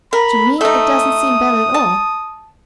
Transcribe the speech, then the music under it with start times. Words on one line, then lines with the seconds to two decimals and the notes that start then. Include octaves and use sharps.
To me, it doesn't seem bad at all.
0.13 A#4 B5
0.61 A3 D#4 D#6
1.74 A5